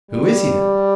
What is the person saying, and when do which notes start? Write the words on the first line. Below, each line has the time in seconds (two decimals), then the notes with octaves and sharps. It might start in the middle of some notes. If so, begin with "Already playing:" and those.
"Who is he, then?"
0.11 G3